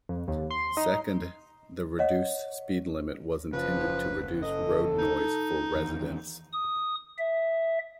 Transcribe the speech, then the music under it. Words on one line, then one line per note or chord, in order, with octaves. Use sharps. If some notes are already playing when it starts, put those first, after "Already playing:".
Second the reduced speed limit was intended to reduce road noise for residents.
F2
D#2
C6
D#4
C#5 D#5 F#5
F#1 C#3 F3 B4
A4 D#5
D#4
E2 D#3
D#6
E5